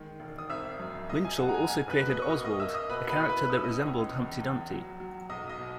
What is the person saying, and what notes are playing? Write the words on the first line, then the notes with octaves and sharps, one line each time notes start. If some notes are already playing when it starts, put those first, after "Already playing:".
Winchell also created Ozwald, a character that resembled Humpty Dumpty.
Already playing: D#3 G#3
E1
D#6
G#1 E5 E6
F#2
F#2 D#5 D#6
G#5
F#1 F#5
A#5
G#5
B2 G#5
B4 B5
B2
D#5 D#6
C#6
A#3 D#5 D#6
D#5 D#6
A#3 E5 E6
D#5 D#6
B2 B4 B5
B4 B5
E4
B4 B5
C#4 D#6
E6
D#5 D#6
C#2
E2
E2
F#3
F#3
B1 D#5 D#6
D#5 D#6
B2